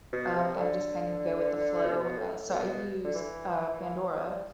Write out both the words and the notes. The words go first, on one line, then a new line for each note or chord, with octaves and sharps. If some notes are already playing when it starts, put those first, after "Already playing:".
Um, I'm just kind of go with the flow, uh, so I use, uh, Pandora
B2
C3
D3
B2
C3
B2
A2
B2
D3
E3
E3
F3
G3